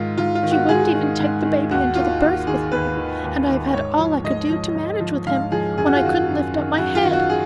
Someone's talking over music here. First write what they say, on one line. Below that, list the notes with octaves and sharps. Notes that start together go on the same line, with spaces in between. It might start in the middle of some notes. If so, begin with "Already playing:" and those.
She wouldn't even take the baby into the berth with her; and I have had all I could do to manage with him, when I couldn't lift up my head.
Already playing: G#2 D#3 F4
G#2 F4
F4
D#3
F#4
G#2 G#4
D#3
G#2
D#3
D#2 F#4
D#3 F4
D#2 F#4
D#3 G#4
D#2 B4
D#3
D#2
D#3
G#2 C#5
F3
G#2 D#5
F3
G#2
F3
G#2 F5
F3 G#4
F#2 G#4
F#4
F4
D#3 F#4
F#2
D#3
F#2 F#4
F4
D#3
F#4
G#4